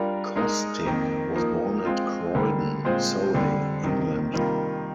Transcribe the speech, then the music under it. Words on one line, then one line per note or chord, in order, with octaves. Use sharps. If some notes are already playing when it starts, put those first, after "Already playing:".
Cosstick was born at Croydon, Surrey, England.
Already playing: G3 D4 F4 A#4
G#3 D#4 A#4
F2 D#3 A#3
F3 A#3 D#4
G#3 C4 F4
D3 G3 A#3
A#2 G#3 C4 F4 C5
F2 D3 G3 D4
F2 C3 D#3
C3 D#3 G3 A#3 F4